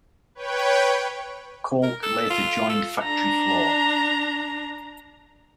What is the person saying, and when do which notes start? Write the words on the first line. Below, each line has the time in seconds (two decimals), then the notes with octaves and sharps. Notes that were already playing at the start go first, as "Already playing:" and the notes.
Colk later joined Factory Floor.
0.35 B4 C#5 G5
1.83 A#4
2.03 A4
2.30 F4
2.69 A4
3.03 D4 A#5